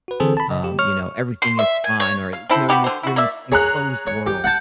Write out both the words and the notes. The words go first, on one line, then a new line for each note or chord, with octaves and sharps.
um, you know, everything is fine or you know, in this you're in this enclosed world,
F#4 B4
D3 E3 C4 G#4 A4 C5
A5 B5
C#3 D#5
G4
C#5 C#6 F6
C6
E5
G#5
C#5
F5
C4 E4 A4 C5
B3 F#4 G4 B4
D3 C5
E4 F#4
A#3 D5 E5
G#4 C#5 A#5 F#6
C#5
G4
F#5 G5 A5